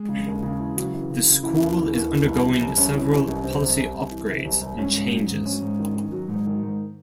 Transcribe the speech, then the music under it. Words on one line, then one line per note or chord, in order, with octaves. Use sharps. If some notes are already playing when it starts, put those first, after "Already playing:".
The school is undergoing several policy upgrades and changes.
Already playing: G#3
C#3
D#2
C#3
E3
C#3 F#3 F#4
E3
C#3
C#3
C#3 E3 E4
D#2
E3
D#2
E3
C2
C3
C2
C2 C#4
E3
C3
C2
C3 C4
C2
C2
C2
E3
C3
C2
C2
G#2 C#4
G#2
F#3
G#2
G#2 C#4
G#2
D#3
D#3
F#3
G#2
D#3
G#2